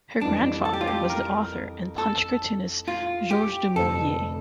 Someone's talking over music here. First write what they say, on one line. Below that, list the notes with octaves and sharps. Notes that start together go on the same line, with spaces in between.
Her grandfather was the author and Punch cartoonist George du Maurier.
F2 E3 G3 D4
A4
G4
F4
G4
A#4
A4
F4
G4
F1 F2 D3 A3 C4 A4